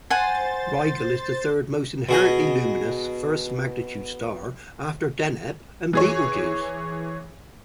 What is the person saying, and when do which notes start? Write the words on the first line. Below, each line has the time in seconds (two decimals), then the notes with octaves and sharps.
Rigel is the third most inherently luminous first magnitude star after Deneb and Betelgeuse.
0.10 C5 F#5 G#5 A6
2.09 B2 G#4 D#5
5.93 E3 G#4 C#5